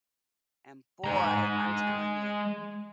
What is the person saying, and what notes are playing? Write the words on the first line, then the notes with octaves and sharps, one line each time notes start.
And boy, I'm telling you,
G#3 A#5